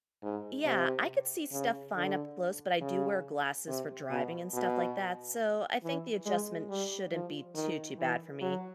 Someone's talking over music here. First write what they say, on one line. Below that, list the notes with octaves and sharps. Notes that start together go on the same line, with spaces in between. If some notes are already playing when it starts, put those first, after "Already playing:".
Yeah, I could see stuff fine up close, but I do wear glasses for driving and stuff like that, so I think the adjustment shouldn't be too, too bad for me,
G#2
C3
C#3
D3
C#3
C3
B2
B2
E3
G#3
G3
F3
D#3
E3
F#3